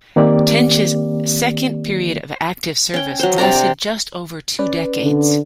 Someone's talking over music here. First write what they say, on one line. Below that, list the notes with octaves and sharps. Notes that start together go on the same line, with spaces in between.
"Tench"’s second period of active service lasted just over two decades.
D#3 A#3 C4 G4 D5
C#4 G5
F#3 C5
C3 D4 D5 A#5
D5
C#4 B4 D5
D3